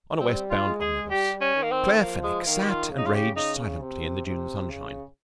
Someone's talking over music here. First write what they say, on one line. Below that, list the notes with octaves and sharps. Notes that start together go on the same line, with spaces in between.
On a west-bound omnibus Claire Fenwick sat and raged silently in the June sunshine.
G3 C4
F4
G#3
G#4
G3 G4
C#4
D#3
A#3
C4
F3 A#3
G#3
D#3 A#3
G4
F4
C#3
D#4
F4
G4
C#3 D#4
C3
C3
C#3